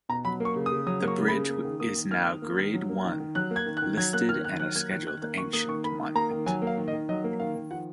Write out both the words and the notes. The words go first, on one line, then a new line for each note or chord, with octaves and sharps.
The bridge is now Grade One listed and a Scheduled Ancient Monument.
B2 A#5
F#3 B5
A#3 C#6
C#3
D#6
C#3
F#3 D#6
A#3 C#6
C#3
B5
C#3
A#3
D#3
A#3 D#6
D#3
A#3 F6
D#3
A#3
D#3
F#3
A#3
D#3
D#3
F#3 F#6
A#3
G#6
D#3
F#6
D#3
F#3 G#6
A#3 F#6
D#3 F6
D#3 F#6
F#3 F#6
A#3 G#6
D#3 F#6
D#3 F#6
A#3 F#6
D#3 C#6
A#3 D#6
D#3 C#6
A#3 B5
D#3
A#3 A#5
D#3
F#3 G#5
A#3
F5
D#3
D#5
D#3
F#3 D#5
A#3
D#3 F5
D#3
F3 F#5